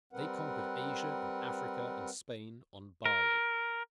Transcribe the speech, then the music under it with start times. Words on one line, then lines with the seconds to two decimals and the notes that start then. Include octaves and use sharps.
They conquered Asia and Africa and Spain on barley.
0.13 G3 C4 A#4 B4 F#5
3.06 A#4